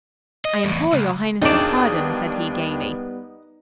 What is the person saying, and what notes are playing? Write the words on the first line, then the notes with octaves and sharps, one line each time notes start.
"I implore your highness's pardon!" said he gaily.
D#5
E2 A2
C#2
D#2 B2 D4 D#4 G#4 D5 D#5 E7
G3 B3